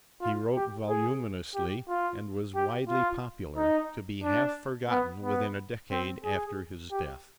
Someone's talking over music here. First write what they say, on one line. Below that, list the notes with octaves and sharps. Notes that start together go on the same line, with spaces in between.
He wrote voluminously and was widely popular, to be half forgotten within a decade after his death.
F4
G4
G#4
G4
F4
G4
F4
D#4
D4
B3
B3
C4
G#4
G4